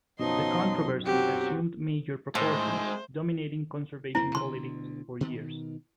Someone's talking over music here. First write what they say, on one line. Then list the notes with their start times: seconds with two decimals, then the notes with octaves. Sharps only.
The controversy assumed major proportions, dominating conservation politics for years.
0.19 B1 F#2 B2 F3 F#3 D#4 D#5 C6
1.05 F#3 C4 F#4 G4
2.35 A2 G#3 C4 C5
4.15 F2 A#3 C4 E4
4.35 D2 B2 D3 C6
5.21 B2 D#3